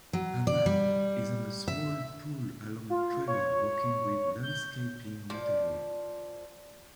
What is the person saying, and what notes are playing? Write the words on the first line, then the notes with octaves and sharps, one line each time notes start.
A man is on a small pull along trailer working with landscaping material.
F#3
D5
G3
E5
F4
C#5
G6
F3 D5